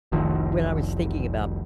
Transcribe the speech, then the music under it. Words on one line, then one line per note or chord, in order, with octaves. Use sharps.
when I was thinking about
F1 C2 D#3 F3